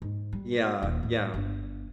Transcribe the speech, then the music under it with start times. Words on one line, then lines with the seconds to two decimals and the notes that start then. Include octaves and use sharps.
Yeah, yeah.
0.02 G#2
0.33 G3
0.82 D#1
1.03 A2
1.34 G1